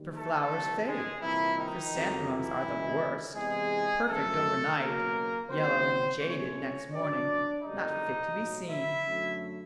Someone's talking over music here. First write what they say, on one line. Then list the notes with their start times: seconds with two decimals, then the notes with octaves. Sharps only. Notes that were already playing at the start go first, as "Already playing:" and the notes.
For flowers fade; chrysanthemums are the worst; perfect over night; yellow and jaded next morning--not fit to be seen.
Already playing: D#2 D#3 G3
0.14 A3 A4
0.49 C2 C3 D#3
0.85 G#3 G#4
1.21 C2 A#2 E3 F3 A#3 E4
1.56 D#3 D#4
1.93 F2 C#3 F#3 A#3
2.28 E3 E4
2.64 C#2 B2 G#3
3.35 E2 C3 E3 G#3 G#4
4.07 F#2 C#3 F3 A3 A4
4.78 C#2 B2 F#3 A#3 A#4
5.49 D#2 D#3 F#3 C4 C5
6.21 C2 C3 F3 A3 C#4 C#5
6.92 A1 A2 F#3 D4 D5
7.63 F#1 F#2 D3 G3 A#3 D#4 D#5
8.35 B1 A2 F#3
8.70 E4 E5
9.06 F#2 D3 F#3 A3